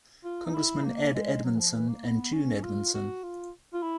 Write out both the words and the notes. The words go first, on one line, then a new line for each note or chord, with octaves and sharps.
Congressman Ed Edmondson and June Edmondson.
F4
D#4
E4
A#3
G#3
F#3
E3
F3
E3
A#3
B3
C#4
F4
F#4
F4
F4
E4